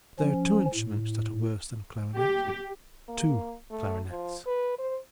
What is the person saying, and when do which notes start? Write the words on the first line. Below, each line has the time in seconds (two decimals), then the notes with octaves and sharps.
There are two instruments that are worse than a clarionet--two clarionets.
0.19 F3 C#4
0.74 A2
2.15 G4
3.09 A#3
3.71 A3
4.10 F3
4.46 B4
4.79 C5